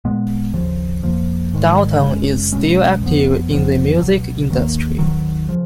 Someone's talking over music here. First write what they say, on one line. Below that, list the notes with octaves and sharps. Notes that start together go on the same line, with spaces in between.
Dalton is still active in the music industry.
A#2 G#3 B3
D#2 C#3 F3
F2 F3 A#3
G#2 D#3 G#3
F#2 C#3 G#3 C#4
C#2 B2 G#3 C#4
F2 F3 B3
F2 C#3 F3 B3
C#2 B2 F#3
D#2 D#3 A#3
D#2 D#3 F#3
C#3 F3